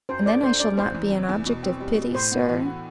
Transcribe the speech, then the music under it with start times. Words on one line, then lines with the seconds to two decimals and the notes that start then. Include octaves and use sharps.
"And then I shall not be an object of pity, sir?"
0.09 F#2 C5
0.26 A3 D5
0.43 D3 C5
0.60 F#2 D5
0.77 E2 C5
0.95 E3
1.12 C3
1.29 E2
1.46 B2
1.63 C4
1.80 G3
1.97 B2
2.14 A2 C5
2.32 B3
2.49 E3
2.65 F#4